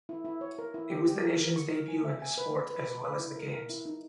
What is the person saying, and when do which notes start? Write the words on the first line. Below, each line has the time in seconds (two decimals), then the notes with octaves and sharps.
It was the nation's debut in the sport as well as the Games.
0.09 E4
0.25 E4
0.41 C#5
0.59 A#4
0.74 E4
0.90 G4
1.08 G4
1.24 A#4
1.39 A#4
1.56 C#6
1.72 A#4
1.88 G#5
2.05 E5
2.22 G#5
2.38 B4
2.54 B4
2.70 B4
2.87 B4
3.04 B4
3.19 E4
3.36 A#4
3.52 A#4
3.70 E4
3.85 D#4